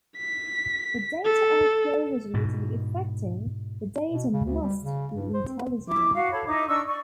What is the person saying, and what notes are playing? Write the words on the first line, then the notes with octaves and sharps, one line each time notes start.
For data archaeology to be effective the data must be intelligible.
B6
A4
G#2 B2
B2
C#3
D2
G3
C#3
G2
C5
C4
E4 D6
F#4 F5
A4 C#5 B5
D#4 E4 D6
D4 D#4 C#6 E6
D5 C#6